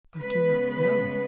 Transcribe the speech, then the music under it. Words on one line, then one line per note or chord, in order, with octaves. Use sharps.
"I do not know."
C#3 G#3 B3 B4
B4